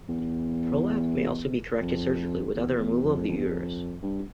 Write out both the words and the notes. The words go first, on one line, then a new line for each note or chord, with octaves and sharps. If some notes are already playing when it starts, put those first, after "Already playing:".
Prolapse may also be corrected surgically without removal of the uterus.
E2
F2
E2
E2
F2
F2
E2
F2
G2